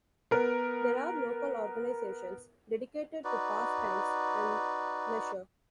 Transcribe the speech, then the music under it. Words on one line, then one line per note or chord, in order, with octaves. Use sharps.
There are local organisations dedicated to pastimes and leisure.
B3 A#4
D#4 F#4 B4 D5